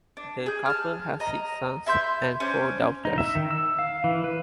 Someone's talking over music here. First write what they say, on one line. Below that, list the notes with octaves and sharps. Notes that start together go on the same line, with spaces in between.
The couple had six sons and four daughters.
D4
G#4 G6
A5 F6
D#5 A#5
E4 E5 C6 G6
C#4 D4 C5
D#4
E5
D#3
E6
F5
E3
B4